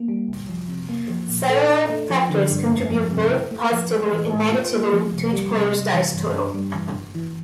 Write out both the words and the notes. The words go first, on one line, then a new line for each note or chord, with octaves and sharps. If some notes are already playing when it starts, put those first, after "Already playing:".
Several factors contribute both positively and negatively to each player's dice total.
Already playing: A#3
G3
C2
F3
C3
A#3
F3
A#2
A4
D4
A3
F3
D3
G2
F2
F3
C3
E4
A3
F3
A3
E3
A2
F4
A#3
F3
C2
G3
C3
G3
E3
G2
D4
G3
E3
G1
E3